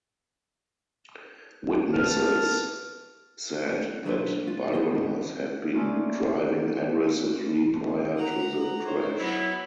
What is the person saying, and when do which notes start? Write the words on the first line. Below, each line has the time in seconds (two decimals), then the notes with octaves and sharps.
Witnesses said that Bironas had been driving aggressively prior to the crash.
1.92 B3 A5 F6
4.05 B1 F#3 D4 E4 B4 C5
4.48 F4
4.73 E2 D3 F3 B3 C4 D#5
5.75 A3 A#3 C#4 D#4 F4 D5
8.16 F#5 A#5
8.86 D#3 C5 C#5
9.19 F#3 B3 E4